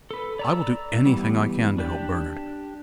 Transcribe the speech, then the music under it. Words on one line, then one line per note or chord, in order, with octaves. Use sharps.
I will do anything I can to help Bernard.
A4 B4
D5 A#5 E6
E3 G3 B3
D4 G4